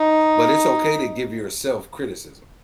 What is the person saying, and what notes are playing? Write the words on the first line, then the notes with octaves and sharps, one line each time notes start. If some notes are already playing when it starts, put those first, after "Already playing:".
but it's okay to give yourself criticism,
Already playing: D#4